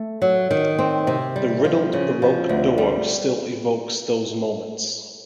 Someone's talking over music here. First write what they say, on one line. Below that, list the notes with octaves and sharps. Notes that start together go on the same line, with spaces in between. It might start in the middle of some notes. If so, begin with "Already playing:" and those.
The riddled Baroque door still evokes those moments.
Already playing: A3
F#3
D#3
C4
C3
G3
F3
C#3
F3
D2
G3